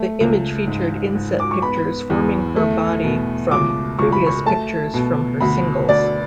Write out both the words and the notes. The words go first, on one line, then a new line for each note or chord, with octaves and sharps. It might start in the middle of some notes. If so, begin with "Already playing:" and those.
The image featured inset pictures forming her body from previous pictures from her singles.
Already playing: A3
C#2
G#2
G#2
D6
C#6
B3 B5
E2
A3
B2
C#2 D6
C#2 C#6
B5
C#6
A3 A5
B2
D2 B5
D2 D5